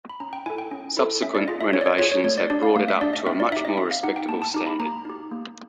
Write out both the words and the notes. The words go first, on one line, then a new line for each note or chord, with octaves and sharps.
Subsequent renovations have brought it up to a much more respectable standard.
B5
C#4 A#5
G5
E4 A4 G#5
G5
C#4
E4 A4
C#4 E5
D5
F4 G#4 D#5
E5
C#4 C#5
D5
C#5
F4 G#4 C#5
C#5
A3 C#5
D5
D4 G4 D5
F5
A3 F5
E5
D4 G4 D5
D#5
C4 E5
D5
D#4 G4 E5
D#5
C4 E5
F5
D#4 G4 F#5
G5
A#3 A5
A5
D#4 G4 A#5
B5
A#3 A#5
D#4 G4
A#3